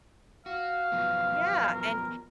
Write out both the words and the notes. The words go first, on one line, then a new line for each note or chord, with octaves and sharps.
Yeah, and
F#4 F5
F3 F#3 B3
A#4